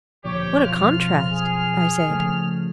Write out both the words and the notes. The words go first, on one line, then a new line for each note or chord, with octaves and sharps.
"What a contrast!" I said.
D2 A#2 F3 G4 C#5
B1 F2 F3 F4 F6
G#4
C#3 F3 A3